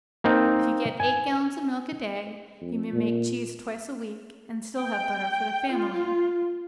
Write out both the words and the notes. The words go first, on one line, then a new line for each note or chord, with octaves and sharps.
If you get eight gallons of milk a day, you may make cheese twice a week, and still have butter for the family.
A#3 C4 D#4
G#5
F2
A#2
G5
F4